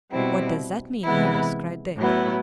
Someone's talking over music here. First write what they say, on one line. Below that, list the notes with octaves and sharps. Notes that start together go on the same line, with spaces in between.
"What does that mean, Harris?" cried Dick.
B2 G3 C4 E4
C3 E3 G#3 B3 E4
A2 F#3 B3 E4